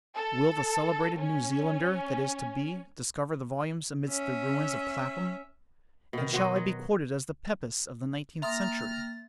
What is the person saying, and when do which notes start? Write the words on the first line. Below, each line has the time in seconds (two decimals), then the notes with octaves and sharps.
Will the celebrated New Zealander, that is to be, discover the volumes amidst the ruins of Clapham? and shall I be quoted as the Pepys of the nineteenth century?
0.16 A4
1.18 C#4
4.09 C#4 E5
6.13 B2 D#3
6.33 B2 F#4 C5 D#5
6.56 F#3
8.42 A#3 E5 G5 A#5 C6 D#6 F6 A6